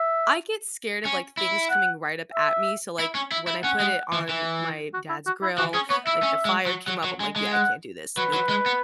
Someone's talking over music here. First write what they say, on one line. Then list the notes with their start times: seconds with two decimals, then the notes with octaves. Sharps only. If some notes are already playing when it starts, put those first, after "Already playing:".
I get scared of, like, things coming right up at me, so, like, when I put it on my dad's grill, like, the fire came up, I'm, like, "Yeah, I can't do this. Nope,
Already playing: E5
1.05 C#4
1.37 E4
1.70 F#5
2.34 E5
2.99 E4
3.15 C#4
3.32 E4
3.47 E4
3.64 C#4 F#5
3.80 G#3
4.13 E3
4.29 E3
4.94 F#4
5.09 E4
5.27 F#4
5.42 E4
5.58 E3 F#4
5.74 C#4 G#4
5.90 B3 C#5
6.06 E4 E5
6.23 C#4
6.45 G#3
6.66 F#3
6.88 F#3
7.04 F#3
7.20 G#3
7.36 G#3
7.53 F#5
8.17 F#3 B4
8.33 F#3
8.49 G#3
8.66 B3